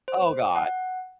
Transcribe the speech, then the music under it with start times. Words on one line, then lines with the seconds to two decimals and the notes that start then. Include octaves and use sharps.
Oh god.
0.08 C5
0.55 F#5